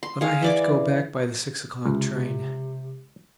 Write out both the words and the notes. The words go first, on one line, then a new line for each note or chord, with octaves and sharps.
But I have to go back by the six o'clock train.
C6
G#4 F5
E3 D5 D6
C#2 C3